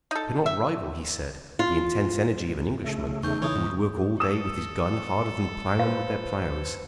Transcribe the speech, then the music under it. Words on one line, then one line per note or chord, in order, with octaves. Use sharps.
He could not rival, he said, the intense energy of an Englishman, who would work all day with his gun harder than ploughmen with their ploughs.
D#4 A4
E5
F4
C#3 A3
E2 D#4 C#6 G6
E3 C#5 C#6 D#6
G#2
A4 D#6 E6 E7
B4 C5 F5